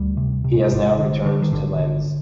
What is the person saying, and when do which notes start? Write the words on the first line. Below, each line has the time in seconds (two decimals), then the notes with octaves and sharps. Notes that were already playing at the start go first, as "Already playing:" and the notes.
He has now returned to Lens.
Already playing: D2 G3
0.17 C3
0.44 C3
0.72 G#1
0.99 D3
1.26 D3
1.42 D#3
1.52 G#1 D3
1.79 D3